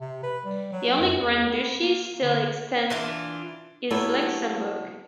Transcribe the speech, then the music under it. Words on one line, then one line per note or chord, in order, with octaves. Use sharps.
The only grand duchy still extant is Luxembourg.
C3
B4
G3
F#3
F#2
E2
B3
A#3
D3
E3 D4 F4
F#3 A3 B3 E4 G4 C#5